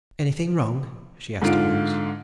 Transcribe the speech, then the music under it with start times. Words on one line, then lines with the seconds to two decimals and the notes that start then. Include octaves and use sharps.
"Anything wrong?" she asked at once.
1.42 G#2 D3 F4 D7